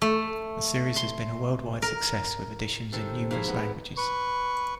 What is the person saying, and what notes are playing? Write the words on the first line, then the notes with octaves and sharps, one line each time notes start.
The series has been a worldwide success with editions in numerous languages.
A3
C6
A#4
C3 D#3 A4 C5
G#2 F3 E4 F5 A#5
B3
B4 C#6